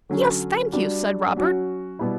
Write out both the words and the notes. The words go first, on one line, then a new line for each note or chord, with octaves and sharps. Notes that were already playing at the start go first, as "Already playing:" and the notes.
'Yes, thank you,' said Robert.
D3 F#3 C#4
G3 D4 F#4
F#3 C#4 F#4
B2 G3 B3 E4